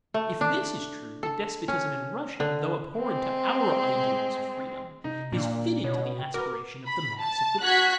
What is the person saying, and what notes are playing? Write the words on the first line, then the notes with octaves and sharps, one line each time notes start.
If this is true, the despotism in Russia, though abhorrent to our ideals of freedom, is fitted to the aspirations of the mass of the people.
A3
D4
A4
C#4
D3
G#3 C4
C3 D#4
A#2 A#3 D4
B2 C#5
G5
F#4 A#4 B4 D6
B5
A5
F#4 F#6 G#6 B6